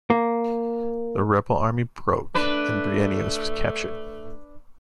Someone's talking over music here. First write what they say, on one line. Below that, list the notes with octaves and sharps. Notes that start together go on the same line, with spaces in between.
The rebel army broke and Bryennios was captured.
A#3
A3 D4 B4